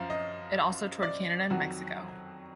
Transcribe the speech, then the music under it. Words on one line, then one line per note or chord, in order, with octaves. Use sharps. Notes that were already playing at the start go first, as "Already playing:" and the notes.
It also toured Canada and Mexico.
Already playing: F#2 F3 F5
D#5
D5
F2 D#3 F#3 F#4